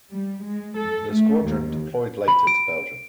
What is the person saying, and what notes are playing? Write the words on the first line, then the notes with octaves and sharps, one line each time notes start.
The squadron deployed later to Belgium.
G3
G#3
A4
A3
D#2
B5
D7